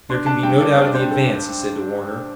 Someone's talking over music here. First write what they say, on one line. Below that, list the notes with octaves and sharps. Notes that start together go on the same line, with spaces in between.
"There can be no doubt of the advance!" he said to Warner.
D4 C6
D4 A5
G2 G5
D4 D5
D4 C5
D5
D4 C5
A4